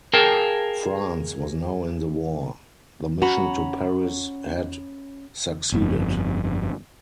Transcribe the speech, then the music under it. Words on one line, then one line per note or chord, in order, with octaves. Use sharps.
France was now in the war; the mission to Paris had succeeded.
G#4 A#4 F5 G5 A5
C#4 F#4 A#5 B5
G1 F2